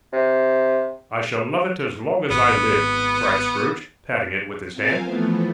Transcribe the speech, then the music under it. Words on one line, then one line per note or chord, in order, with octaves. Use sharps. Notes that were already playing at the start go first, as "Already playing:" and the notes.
'I shall love it as long as I live!' cried Scrooge, patting it with his hand.
C3
G#1 B3
C4 F4 A#4 C5 F5 G#5
E3 F3 A3 B3